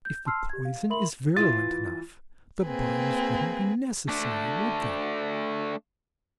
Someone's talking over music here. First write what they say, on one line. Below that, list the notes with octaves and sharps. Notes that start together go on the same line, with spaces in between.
If the poison is virulent enough, the barbs wouldn't be necessary, would they?
G6
A5 C6 E6 F6 C7
G4 G#6
F5
A#4 E5 B5 C6 F#7
E3 E4 F4 A6
A#3 C4 G#4 B4
A3 D4